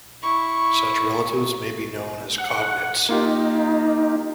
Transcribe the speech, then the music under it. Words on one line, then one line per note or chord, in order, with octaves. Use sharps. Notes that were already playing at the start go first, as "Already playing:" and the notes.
Such relatives may be known as cognates.
E4 C#6
F#5
A#3 D#4 F4 G4